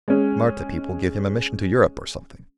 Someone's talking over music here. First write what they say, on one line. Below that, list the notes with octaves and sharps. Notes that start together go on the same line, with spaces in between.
Marta people give him a mission to Europe, or something?
G#3 C#4